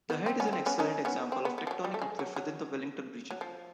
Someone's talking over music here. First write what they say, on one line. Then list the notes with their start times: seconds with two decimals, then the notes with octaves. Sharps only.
The head is an excellent example of tectonic uplift within the Wellington region.
0.10 B3
0.26 C4
0.40 B3 C#4
0.53 C4
0.66 B3 C#4
0.79 C#4 D#4
1.05 B3 C#4
1.32 C4
1.45 B3
1.58 B3
1.67 F3
1.71 F#3
1.85 G3
1.94 A3
2.02 G#3
2.19 F#3
2.36 F#3
3.31 F#3
3.41 F3